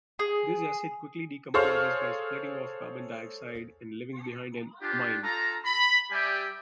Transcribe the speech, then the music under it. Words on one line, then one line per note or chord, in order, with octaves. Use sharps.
This acid quickly decomposes by splitting off carbon dioxide and leaving behind an amine.
G#4
G#4 A4 C5 C#5 F5 F6
D4 F4 G4
F4 A4 A5 A#5
B5
G3 G4 D5 E5 G5 G#5